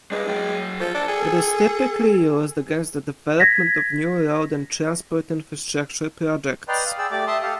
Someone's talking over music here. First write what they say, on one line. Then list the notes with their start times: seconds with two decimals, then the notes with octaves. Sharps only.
It is typically used against the development of new road and transport infrastructure projects.
0.12 G3 G#3 D4
0.28 F#3 G5
0.80 F3 A4
0.95 D4
1.08 G#4
3.40 G#6 A#6 B6
6.68 B4 D5 D#5 G5 A#5 C6
6.86 F5
6.98 G#4 D5 G5 E6
7.11 A3 G4 D5 D6
7.27 E5 A5 C6 D#6
7.42 G4 A4 F5